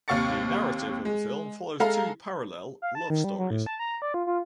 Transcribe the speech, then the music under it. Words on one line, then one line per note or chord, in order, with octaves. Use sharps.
The narrative of the film follows two parallel love stories.
D#2 C3 F5 C#6 A6 C#7
G#3
G#3 A4 F5 A#5
F5
A5
D#3
G3
F#3
A2
A5
A#5
D5
F4
F4